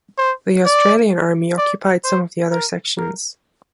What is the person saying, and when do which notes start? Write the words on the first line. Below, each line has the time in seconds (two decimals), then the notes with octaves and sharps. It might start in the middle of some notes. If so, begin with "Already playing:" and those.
The Australian army occupied some of the other sections.
0.18 C5
0.65 D5
1.58 D5
2.04 C5
2.51 A#4
2.98 A#4